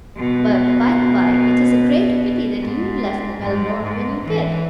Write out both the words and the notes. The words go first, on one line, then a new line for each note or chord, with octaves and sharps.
But, by-the-by, it is a great pity that you left Melbourne when you did.
B2
G#2
G#2
G#2
E3